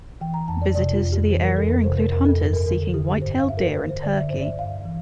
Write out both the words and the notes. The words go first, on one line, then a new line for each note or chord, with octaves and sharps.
Visitors to the area include hunters seeking whitetail deer and turkey.
E3 G5
A#5
F2 A5
D5
C3 D5
F4
F2
G4
E3 C5
A#4
F2 A4
A#4
C3 C5
A#4
F2 A#4
A4
G2 A#4
A#4
D3 A#4
A4
D3 G4
G2 C5
F5
G2 E5
A#4
C5
D3 A#4
C5
D3 D5
E5
G2 C5
D5
E5
G2 F5
E3